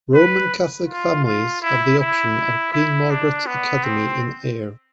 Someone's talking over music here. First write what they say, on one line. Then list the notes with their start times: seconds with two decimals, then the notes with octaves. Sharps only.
Roman Catholic families have the option of Queen Margaret Academy in Ayr.
0.14 B4
0.88 F4
1.25 F4
1.62 E4
1.99 E4
2.73 E4
3.10 D4
3.47 B3
3.84 C4